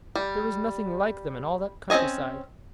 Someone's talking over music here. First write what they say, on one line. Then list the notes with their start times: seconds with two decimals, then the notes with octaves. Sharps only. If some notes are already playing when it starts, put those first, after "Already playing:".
There was nothing like them in all that countryside.
0.15 G3
1.90 C4 C#4 A4 D#5 G#5